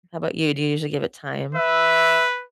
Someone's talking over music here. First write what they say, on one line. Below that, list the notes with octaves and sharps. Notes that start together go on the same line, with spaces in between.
How 'bout you? Do you usually give it time?
B4 E5